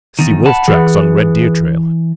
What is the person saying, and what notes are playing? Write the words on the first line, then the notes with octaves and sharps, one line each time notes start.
See wolf-tracks on red deer trail.
E2 D#3
F#5 A5 B5
E3 G#4 B4